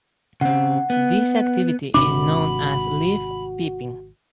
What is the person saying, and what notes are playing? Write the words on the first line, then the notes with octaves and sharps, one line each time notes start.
This activity is known as "leaf peeping".
C#3 C4 F#5
B3
G#1 C3 D4 F#4 B5 D6